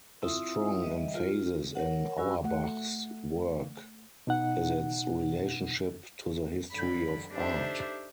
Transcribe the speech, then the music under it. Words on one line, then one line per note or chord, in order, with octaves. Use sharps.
A strong emphasis in Auerbach's work is its relationship to the history of art.
C4 E4 F4 E5 D#6
G3 D#5 E5
F4
A#4 C#5 F#5
F#3 C#4 F#4 G#5 B5 E6
A3 F#5
B2 D#4 F#5
F#2 D3 B5
D4 D#4 G4 A4 C5 E5